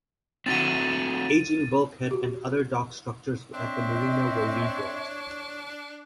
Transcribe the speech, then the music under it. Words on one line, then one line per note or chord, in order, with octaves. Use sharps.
The aging bulkhead and other dock structures at the marina were rebuilt.
C4 E4 F#4 A6 D#7
F#4 G4
C4 D4 C#5 D#5 E5